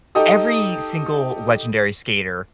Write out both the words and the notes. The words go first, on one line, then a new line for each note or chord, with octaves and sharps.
every single legendary skater
D#4 G4 A4 D#5 D#6